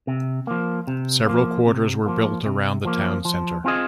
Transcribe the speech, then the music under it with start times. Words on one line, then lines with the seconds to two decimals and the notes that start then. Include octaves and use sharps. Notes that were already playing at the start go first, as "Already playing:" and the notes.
Several quarters were built around the town centre.
0.07 C3
0.47 F3 A#3
0.87 C3
1.27 F3 A#3
1.66 C3
2.06 F3 A#3
2.46 C3
2.85 F3 A#3
3.25 F3
3.65 C4 F4 G#4 D#5